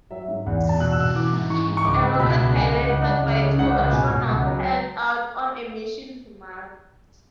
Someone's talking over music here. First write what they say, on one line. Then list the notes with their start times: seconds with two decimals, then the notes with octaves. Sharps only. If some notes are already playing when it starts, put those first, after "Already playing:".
A rocket piloted by two astronauts heads out on a mission to Mars.
0.11 F#3 E5
0.28 G#2
0.46 E2 F#5
0.64 E2
0.69 A5
0.80 B2 F#6
0.92 E6
0.98 B2
1.04 F#6
1.15 E3 D6
1.33 G#2
1.50 E3 C#6
1.68 G#2
1.77 C#6
1.85 C#2 D6
2.02 C#2
2.19 B2 B5
2.37 C#2
2.55 C#2 G#5
2.71 C#2
2.89 C#2 F#5
3.06 C#2
3.23 C#3
3.41 C#3
3.59 C#2 F#5
3.76 C#2
3.93 B2 G#5
4.10 B2
4.27 C#2 F#5
4.46 F#3